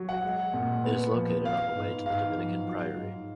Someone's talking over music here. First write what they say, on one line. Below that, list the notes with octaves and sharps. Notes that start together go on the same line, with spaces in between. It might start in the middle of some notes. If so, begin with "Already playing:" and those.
It is located on the way to the Dominican Priory.
Already playing: F#3
F#5
G#3
A#2
B3
F3
B3 F5
G#2
G#2 F5
F3
F#3
G#2